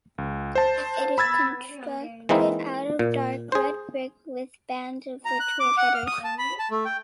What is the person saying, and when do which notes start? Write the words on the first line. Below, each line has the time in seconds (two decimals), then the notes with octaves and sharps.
It is constructed out of dark red brick with bands of vitrified headers.
0.18 C#2
0.55 C5 A5
1.18 B5 E6 G#6 A6
2.29 E3 G#3 A#3 C4 D#4 E4
2.99 A#2
3.52 G#4 C5
5.25 A#5
5.40 F#6
5.60 D6
5.78 F#5
5.94 F6
6.07 D#6
6.24 A5
6.39 B5
6.59 A5
6.71 A3
6.85 G5